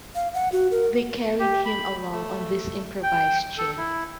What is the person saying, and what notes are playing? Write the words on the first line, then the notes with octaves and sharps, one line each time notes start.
They carried him along on this improvised chair.
F5
F#5
F#4
A#4
G4
B5
A3
G5
A4
E4